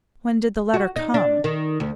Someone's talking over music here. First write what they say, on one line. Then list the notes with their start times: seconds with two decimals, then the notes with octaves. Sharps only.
When did the letter come?'
0.74 F#4
0.96 D#4
1.14 D4
1.44 D#3
1.80 D2